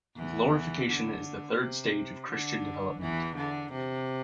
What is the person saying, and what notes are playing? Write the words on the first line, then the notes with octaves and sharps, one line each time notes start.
Glorification is the third stage of Christian development.
E2 E3
D3
C3
D3
E2 E3
D3
C3